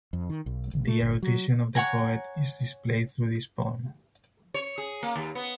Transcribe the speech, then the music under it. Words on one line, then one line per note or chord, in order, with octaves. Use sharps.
The erudition of the poet is displayed through this poem.
F2
D#3
B1
A1
A3
G1
F#3
C#5 F#5 G#5 A#5
C#5
G#4
A#3
D#2
B3